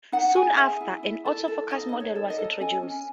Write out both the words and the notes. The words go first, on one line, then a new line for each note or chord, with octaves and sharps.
Soon after, an Auto-focus model was introduced.
D#4 F#5
G#4 G#5
G#4 E5
E4
E4
A4
A4
D#4 D#5
D#4 D#5
C#5
A4
D#5
A4
C#4 G#5
C#4